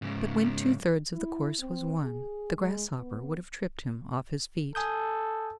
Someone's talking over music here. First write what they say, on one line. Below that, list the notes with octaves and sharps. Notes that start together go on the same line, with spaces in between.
But when two thirds of the course was won, the grasshopper would have tripped him off his feet.
G#2 C#3
E4
C4
G#4
G#3
B3
A4 G#5 D#6 G6